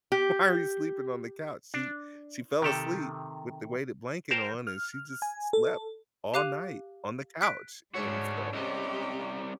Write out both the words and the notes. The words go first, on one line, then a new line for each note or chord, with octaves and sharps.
why are you sleeping on the couch?" She she fell asleep with the weighted blanket on and she just slept all night on the couch and so
G4
D4
C3 D#3 G4 A4
A#4 C5 G5 A5 A#5
F6
G#5
A4
G4 F5 D6 F#6 D#7 F7
F#6 B6 D7
G#2 C#3 G#3 D4 F#4 C#5 E5
C2 C3 G#3 C#4 G4 D#5